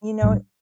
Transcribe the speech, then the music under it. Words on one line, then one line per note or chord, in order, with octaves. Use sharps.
You know it
A#1 A2 G3 D4